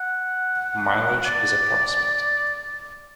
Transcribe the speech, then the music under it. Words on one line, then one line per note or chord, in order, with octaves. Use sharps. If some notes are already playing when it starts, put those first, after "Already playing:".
Mileage is approximate.
Already playing: F#5
D5